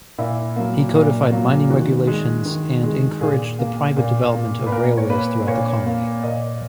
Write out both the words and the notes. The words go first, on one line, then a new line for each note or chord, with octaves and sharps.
He codified mining regulations and encouraged the private development of railways throughout the colony.
A#2 E4
F#3 A#3
A#2
F#3 A#3
D#3 F#4
G#3
D#3
G#3
A#2 G#4
A#3
A#2
A#3
B4
A#2 A#4
C#5
A#3 B4
A#2 C#5
A#3
A#2 D#5